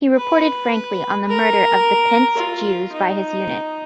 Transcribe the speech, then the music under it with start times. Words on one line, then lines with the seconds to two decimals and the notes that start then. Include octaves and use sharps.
He reported frankly on the murder of the Pinsk Jews by his unit.
0.17 B4
1.27 A#4
2.37 F4
2.92 D#4